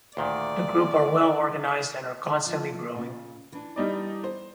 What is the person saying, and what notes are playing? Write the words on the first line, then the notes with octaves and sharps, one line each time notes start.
The group are well organized and are constantly growing.
D2 A#2 D#3 D5
F3 A5
A#2 C#3
E3 D4
G3 D#4 D5
C5